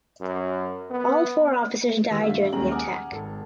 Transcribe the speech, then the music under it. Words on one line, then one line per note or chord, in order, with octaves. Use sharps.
All four officers die during the attack.
F#2
B3
E3 G4 E6
G2 A3 E5 F5
D1 D#2 G#3 C#4 A#5 F#7
F#5 G#5 A#5 D6 D#6 F6
G#1 A4